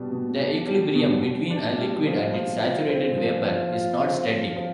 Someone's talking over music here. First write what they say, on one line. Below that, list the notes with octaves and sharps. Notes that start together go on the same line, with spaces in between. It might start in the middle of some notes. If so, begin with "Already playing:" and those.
The equilibrium between a liquid and its saturated vapor is not static.
Already playing: B2 G3 D4
B2
D4
G3
B2
B2
D4
G3
F3
F3
F4
C4
F3
F3
F4
C4
F3
F3